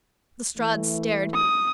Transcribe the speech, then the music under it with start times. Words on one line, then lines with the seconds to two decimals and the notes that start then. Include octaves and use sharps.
Lestrade stared.
0.57 E3 A3
1.34 D#6